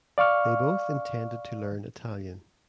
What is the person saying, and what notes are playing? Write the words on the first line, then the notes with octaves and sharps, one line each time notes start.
They both intended to learn Italian.
D5 F5 C#6 F6